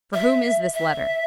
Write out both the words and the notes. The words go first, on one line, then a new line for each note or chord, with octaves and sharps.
"For whom is this letter?"
E5
E5